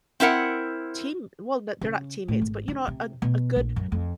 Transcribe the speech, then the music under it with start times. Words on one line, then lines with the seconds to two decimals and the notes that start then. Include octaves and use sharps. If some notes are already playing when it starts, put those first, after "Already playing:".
team well, the they're not teammates, but, you know, a a good
0.20 C4 E4 A#4 F#5
1.81 C#3
2.28 A2
2.41 G#1
2.68 D3
2.88 C3
3.22 B2
3.56 A#1
3.76 F#2
3.92 F2